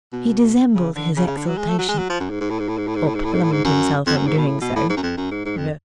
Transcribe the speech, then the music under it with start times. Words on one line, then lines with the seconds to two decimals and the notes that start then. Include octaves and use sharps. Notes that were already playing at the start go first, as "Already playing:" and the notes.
He dissembled his exultation--or plumed himself on doing so.
0.13 B2
0.75 C#3
0.96 D3
1.17 C#3
1.27 C#3
1.37 D3
1.47 F#3
1.58 G#3
1.68 A3
1.79 F#3
1.89 G#3
1.99 F#3
2.10 F3
2.20 F#2
2.30 G#2
2.41 G#2
2.50 A2
2.59 G#2
2.68 A2
2.78 G#2
2.87 A2
2.96 G#2
3.06 A2
3.15 G#2
3.24 A2
3.33 G#2
3.43 A2
3.52 G#2
3.65 F#2
4.06 F2
4.17 F#2
4.27 G#2
4.38 B2
4.47 A2
4.61 B2
4.75 A2
4.89 G#2
4.97 F#2
5.03 F2
5.17 F#2
5.31 G#2
5.45 G#2
5.58 F2